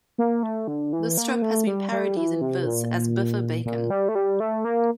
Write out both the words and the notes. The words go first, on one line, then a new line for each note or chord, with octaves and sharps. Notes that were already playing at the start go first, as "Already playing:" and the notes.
The strip has been parodied in "Viz" as Biffa Bacon.
A#3
A3
D3
E3
A#3
A3
G3
G3
E3
C3
A#2
A#2
G3
A3
G3
A3
A#3